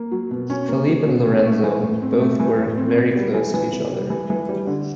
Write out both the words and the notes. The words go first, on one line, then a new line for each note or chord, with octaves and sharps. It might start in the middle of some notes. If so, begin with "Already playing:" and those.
Felipe and Lorenzo, both were very close to each other.
Already playing: A#3
F#3
B2
C#4
A#3
F#3
B2
C#4
A3
E3
A2
C4
A3
E3
A2
C4
B3
G3
E3
E3
B3
G3
E3
E3
G3
D3